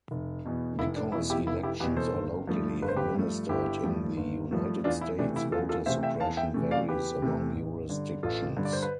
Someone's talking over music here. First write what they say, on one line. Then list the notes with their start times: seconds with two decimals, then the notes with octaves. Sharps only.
Because elections are locally administered in the United States, voter suppression varies among jurisdictions.
0.11 F1
0.45 E2 B2
0.79 F1 E4
0.96 D4
1.12 E2 B2 E4
1.30 E4 G4
1.47 F1 E4
1.63 E4 G4
1.80 E2 B2 G4 B4
1.97 A4 C5
2.14 G1
2.47 G2 F3 A3
2.82 G1 B4
2.88 C5
2.96 G4 B4
3.15 G2 F3 A3
3.49 G1 E4 G4
3.83 G2 F3 A3
4.17 G1
4.51 G2 F3 A3
4.84 E2 D4 F4
5.01 E4
5.19 C3 E3 A3 D4
5.36 E4
5.52 E2 F4 A4
5.69 F4 A4
5.86 C3 E3 A3 C5 E5
6.03 E5 G5
6.20 E2 F5 A5
6.37 E5 G5
6.54 C3 E3 A3
6.71 D5 F5
6.88 E2 G4 B4
7.22 C3 E3 A3
7.55 A1
7.89 G2 D3
8.23 A1 F4 A4
8.57 G2 D3
8.65 D5
8.73 C5
8.83 B4